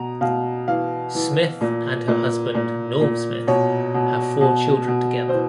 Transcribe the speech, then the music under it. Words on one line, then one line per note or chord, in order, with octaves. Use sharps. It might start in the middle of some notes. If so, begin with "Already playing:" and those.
Smith and her husband Norm Smith have four children together.
Already playing: B2 A#5
B2 F5
E3 F5
E3
A#2
A#2
A#2
A#2
B2 C#5
B2
B2
B2
C5
E3